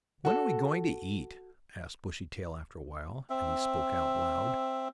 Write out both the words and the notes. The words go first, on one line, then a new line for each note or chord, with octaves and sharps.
"When are we going to eat?" asked Bushytail, after a while, and he spoke out loud.
F#4 A4
C4 E5